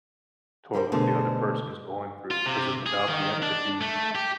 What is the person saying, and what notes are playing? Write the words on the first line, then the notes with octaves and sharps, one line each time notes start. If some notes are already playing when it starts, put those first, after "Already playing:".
toward what the other person's going through, 'cause, it without the empathy,
G2 G3 A#4 C5
B2 D3 A3 G#4 C5 A5
F4
C3
G#4
D#3
D4
A3
G4